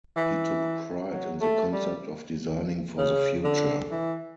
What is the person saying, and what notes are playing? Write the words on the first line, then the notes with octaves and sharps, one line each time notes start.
He took pride in the concept of designing for the future.
E3
F#3
A3
G3
C#3
D3
E3